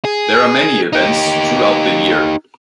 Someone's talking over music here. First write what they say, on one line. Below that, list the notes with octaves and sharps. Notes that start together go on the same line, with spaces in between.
There are many events throughout the year.
G#4
D#4 G4